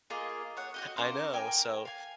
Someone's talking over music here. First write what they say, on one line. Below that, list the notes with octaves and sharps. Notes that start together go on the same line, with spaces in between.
I know. So,
A#3 F4 G#4 D#5
C#5 F#5
F#4 G4 D#5
A#3 C#4 C5
A#4 G5 G#5
F5 G#5